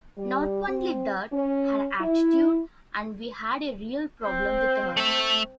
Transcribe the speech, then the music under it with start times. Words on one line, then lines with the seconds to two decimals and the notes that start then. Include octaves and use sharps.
Not only that, her attitude, and we had a real problem with her.
0.18 G3
0.68 C4
1.32 C#4
2.01 E4
4.23 C4 C5
4.97 A3 E5